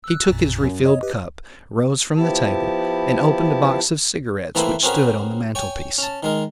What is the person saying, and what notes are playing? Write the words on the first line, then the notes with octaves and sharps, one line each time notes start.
He took his refilled cup, rose from the table, and opened a box of cigarettes which stood on the mantelpiece.
E6 F#6
A1 F2 A#2
F#2
C#5 D#5
G4 B4
F3 B3 E4 G4 A5
E3 A3 A#3 C4 E4 B4
C4 C#4 F#4 G#4 A#4 B4
C#5 G5 G#5
C#4 A5
D#3 G#3 A#4